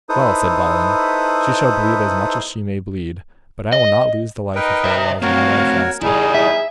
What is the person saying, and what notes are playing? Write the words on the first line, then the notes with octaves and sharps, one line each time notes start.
Well, said Balin, she shall bleed as much as she may bleed, but I will not lose the life of her whiles my life lasteth.
D#4 E4 A4 B4 C5 D#6
D#5
D#4 A#4 B4 G5
C5 E5
A3 C4 F#4 A#4 C#5 F5
E2 G3 D#4 E4 G#4 A#4
E5